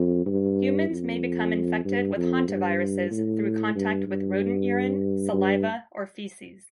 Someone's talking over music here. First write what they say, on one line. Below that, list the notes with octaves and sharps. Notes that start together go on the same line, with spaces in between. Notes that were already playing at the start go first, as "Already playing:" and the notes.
Humans may become infected with hantaviruses through contact with rodent urine, saliva, or feces.
Already playing: F2
G2
F2
G2
F2
G2
A2
G2
G2
G2